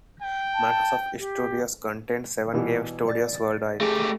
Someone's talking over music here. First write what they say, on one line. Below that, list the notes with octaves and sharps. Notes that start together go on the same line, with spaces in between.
Microsoft Studios contains seven game studios worldwide.
G5
A5
G4
B2 E3 G3
D5 A6
A3 G4 G#4